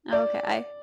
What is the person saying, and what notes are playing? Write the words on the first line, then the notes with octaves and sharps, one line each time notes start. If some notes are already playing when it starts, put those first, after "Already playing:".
Okay. I
D5